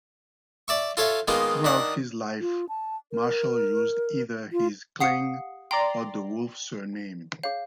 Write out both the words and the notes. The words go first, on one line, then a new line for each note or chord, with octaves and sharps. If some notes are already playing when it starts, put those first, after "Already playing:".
Throughout his life, Marshall used either his Kling or DeWolfe surname.
D5 E5 C#6
F4 A4 C#5 E5 F5
D#3 G#3 A#3 B3 F4
D#3 D4 F#5
F4
A5
A#4
F4
G4 F5 F#5 D#6 C7 C#7
D5 G5 A#5 C6
G#4 C#5 F5